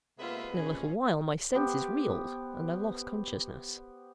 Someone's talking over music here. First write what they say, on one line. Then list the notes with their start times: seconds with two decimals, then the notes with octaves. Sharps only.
In a little while my senses reeled and I lost consciousness.
0.18 C3 G#3 A#3 B3 F4 B4 E5
0.56 A#2 C#4 G#4
1.55 B3 G4 C5